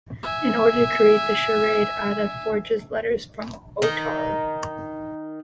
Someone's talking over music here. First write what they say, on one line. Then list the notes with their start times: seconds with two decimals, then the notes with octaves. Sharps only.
In order to create the charade, Ada forges letters from Otar.
0.23 E5 G#5
3.82 D#3 D#4